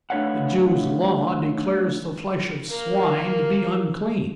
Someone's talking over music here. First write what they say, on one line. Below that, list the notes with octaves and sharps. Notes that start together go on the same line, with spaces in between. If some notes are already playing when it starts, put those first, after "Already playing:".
The Jews' law declares the flesh of swine to be unclean.
A3 D4 B4 C#5 F5 F#5
A#3 A#4